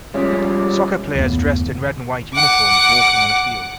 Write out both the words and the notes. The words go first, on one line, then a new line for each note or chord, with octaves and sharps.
Soccer players dressed in red and white uniforms walking on a field.
F3 G3 G#3 C#4
F#1 D#2 A2 B3
F#5 D6